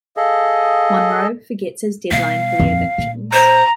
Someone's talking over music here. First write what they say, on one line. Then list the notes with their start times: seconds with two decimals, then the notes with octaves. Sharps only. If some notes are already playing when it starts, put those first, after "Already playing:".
Monroe forgets his deadline for the evictions.
0.17 G#4 A4 D#5 F5
2.11 B2 G3 F5
2.60 D#1 F2
2.98 A#2
3.33 C5 A#5